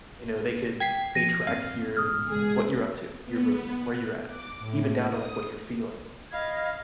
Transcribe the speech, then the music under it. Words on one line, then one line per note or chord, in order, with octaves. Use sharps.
they know they can they track you're what you're up to, your movement, where you're at, even down to, like, what you're feeling,
G5 G#6 B6 C7
F3 A#6 D#7
D1 G2 C4 F5
A1 G#2 B2 D#6 F6
C#2 G#4
B3
F#6
D6
A2
D#6
D#5 F5 B5 G#6